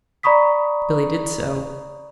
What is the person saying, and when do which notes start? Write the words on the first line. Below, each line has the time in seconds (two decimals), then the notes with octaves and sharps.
Billy did so.
0.23 D5 A#5 B5 C#6 D#6 B6